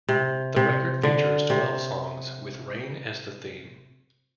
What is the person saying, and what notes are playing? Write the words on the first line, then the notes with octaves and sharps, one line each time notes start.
The record features twelve songs with rain as the theme.
C3
C3
D3
C3